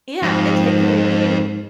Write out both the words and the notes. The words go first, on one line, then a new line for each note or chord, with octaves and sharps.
Yeah, and take care of you.
F2 G#2